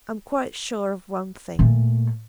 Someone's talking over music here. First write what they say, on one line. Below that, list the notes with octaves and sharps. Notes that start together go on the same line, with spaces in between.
I'm quite sure of one thing.
A#2 A3